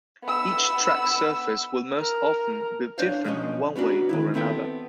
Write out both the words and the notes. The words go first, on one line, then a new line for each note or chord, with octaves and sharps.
Each track surface will most often be different in one way or another.
B3 E6
A#4
D4 C5 C#5 F5
B1 F3 G#3 C#4 D#5
B3 C#4 D4 F#4
D#3 F3 E4
B3 C4 A4 E5 G5